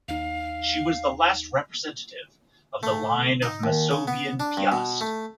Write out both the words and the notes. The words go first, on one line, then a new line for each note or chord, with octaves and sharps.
She was the last representative of the line of Masovian-Piast.
D#2 D#4 F5
A3
D#4
D#2
C#3
B3
D4
G2
B2
A3